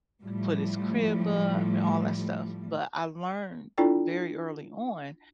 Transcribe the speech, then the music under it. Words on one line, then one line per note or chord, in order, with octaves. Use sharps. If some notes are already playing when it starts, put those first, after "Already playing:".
put his crib up, and all that stuff, but I learned very early on,
A2 F3 G3 A3
D4 E4 F4 A4 D5 G5